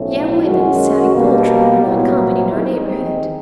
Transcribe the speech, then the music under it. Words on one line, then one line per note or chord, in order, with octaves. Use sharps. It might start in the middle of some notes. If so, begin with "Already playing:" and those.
Young women selling poultry are not common in our neighborhood.
Already playing: B1 A2 F3 A3 C#4
F#2 D#3 G#3 C#4 F#4
B2 G3 A#3 D#4
C2 A#2 F#3 B3 E4
D#2 D#3 G#3 C4 D#4